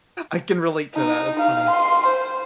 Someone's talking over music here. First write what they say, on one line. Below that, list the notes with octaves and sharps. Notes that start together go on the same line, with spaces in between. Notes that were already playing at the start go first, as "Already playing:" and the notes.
I can relate to that, it's funny.
D#4
F5
C6
C5